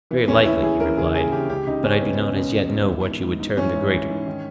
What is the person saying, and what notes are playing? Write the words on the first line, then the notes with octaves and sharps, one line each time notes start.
Very likely, he replied; but I do not as yet know what you would term the greater.
E3 B3
D#2 C#4
E3 E4
E3 G#4
E3 A#4
C#3 G#4
D#2 G#4
C#3 G4
C#2 G4
C#2 D#4
C#2 C#4
C#2 B3
B2
C#2
B2
B2
E3
G#2
G#2
G#2
E3 C#4
G#2
E3
G#2
D#3